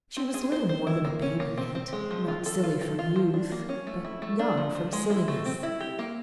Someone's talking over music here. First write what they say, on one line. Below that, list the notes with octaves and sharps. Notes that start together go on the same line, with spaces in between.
She was little more than a baby yet, not silly from youth, but young from silliness.
C4
G#4
C5
C5
E4
A#3
C#4
A#3
C4
C4
G#3
F3
F4
A4
F4
A4
F4
F3
D4
A#3
C#4
A3
E4
A3
D4
F3
F3
G#3
E4
A3
C4
E4
G4
A#3